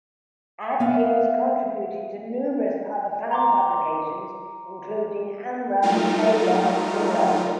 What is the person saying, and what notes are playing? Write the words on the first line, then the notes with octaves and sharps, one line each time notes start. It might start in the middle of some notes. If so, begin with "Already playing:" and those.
Adkins contributed to numerous other fan publications, including "Amra", "Vega" and "Xero".
B3 E5 F5
A#5 C6 D6
F#3 G3 A3 D#4 F4 A#4